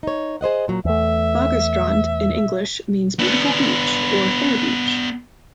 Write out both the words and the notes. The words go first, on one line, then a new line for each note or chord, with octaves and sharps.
"Fagerstrand" in English means "beautiful beach" or "fair beach".
D#4 C#5
G#4 C5 D#5 F#5
A#2 F#3
E2 A3 E5
B3 D4